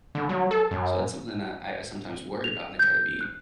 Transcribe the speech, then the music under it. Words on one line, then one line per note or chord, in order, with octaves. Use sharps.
So that's something n that I I sometimes worry about and I try to be
D3
F#3
A4
F#2
F7
G6
F#6